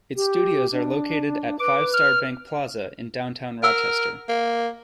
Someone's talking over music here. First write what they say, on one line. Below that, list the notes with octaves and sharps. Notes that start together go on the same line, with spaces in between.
Its studios are located at Five Star Bank Plaza in downtown Rochester.
G4
D4
B4 D6
F6
A#4 F#5 E6
A#3